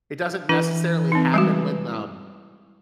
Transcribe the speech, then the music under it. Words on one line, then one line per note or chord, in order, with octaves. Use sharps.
It doesn't necessarily happen when, um,
E3 D4 E4 B4
C4 D#4
G3 G#3 F#4